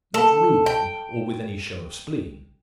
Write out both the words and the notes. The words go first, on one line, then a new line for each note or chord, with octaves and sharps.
Not rudely, or with any show of spleen.
A4
G5